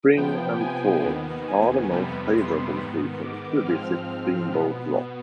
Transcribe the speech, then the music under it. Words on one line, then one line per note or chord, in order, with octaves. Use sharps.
Spring and fall are the most favorable seasons to visit Steamboat Rock.
C3 F3 B3 G5
G#5
D#2 D#3 B3
G#5
F2 C3 G3 B3 B5
C6
G#2 D#3 B3
D6
G#2 F3 C4 F6
B2 B3